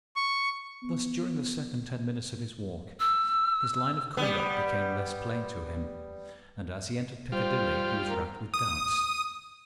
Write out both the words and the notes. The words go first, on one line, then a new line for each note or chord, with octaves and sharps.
Thus during the second ten minutes of his walk, his line of conduct became less plain to him, and as he entered Piccadilly he was racked with doubts.
C#6
B3
E6
G3 B3
G3 F4 C5
A#4
D#6